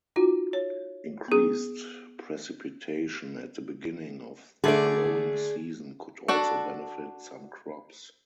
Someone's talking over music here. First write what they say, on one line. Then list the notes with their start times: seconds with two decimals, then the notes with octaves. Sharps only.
Increased precipitation at the beginning of the growing season could also benefit some crops.
0.16 D#4 F4 F#4
0.53 C#5
1.28 B3 G#4
4.64 D3 A3 G#4 D5
6.28 D4 F#4 A4